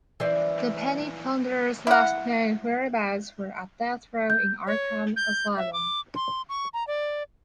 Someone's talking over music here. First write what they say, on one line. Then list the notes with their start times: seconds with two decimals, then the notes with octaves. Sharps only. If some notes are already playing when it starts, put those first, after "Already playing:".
The Penny Plunderer's last known whereabouts were at death row in Arkham Asylum.
0.20 E3 C5 D5
1.87 E4 F#5
4.30 G6
4.67 C#5
5.16 G6
5.57 E5
5.73 D6
6.16 C6
6.49 C#6
6.74 A#5
6.87 D5